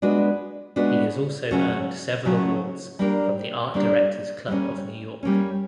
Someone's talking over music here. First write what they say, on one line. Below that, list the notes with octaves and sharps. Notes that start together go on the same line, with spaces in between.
He has also earned several awards from the Art Directors Club of New York.
G#3 B3 D4 F#4 B4
G#3 B3 D4 F#4 B4
C#3 F#3 A3 C#4 F#4
C#3 F#3 A3 C#4 F#4
G3 A#3 D4 G4 A#4
G3 A#3 D4 G4 A#4
G3 A#3 C#4
G3 A#3 C#4